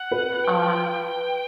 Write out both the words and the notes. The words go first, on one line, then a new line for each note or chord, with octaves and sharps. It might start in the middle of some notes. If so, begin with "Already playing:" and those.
Um, f
Already playing: F#5
B4
G5
G5